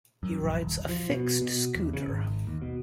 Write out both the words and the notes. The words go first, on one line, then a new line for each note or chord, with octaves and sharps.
He rides a fixed scooter.
F#2
A#1
D#1
F3
B2
B2
E2
C#3
G#1
D#2
B2